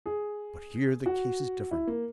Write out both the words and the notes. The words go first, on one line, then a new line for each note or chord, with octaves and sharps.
But here the case is different.
G#4
F#4
E4
A#3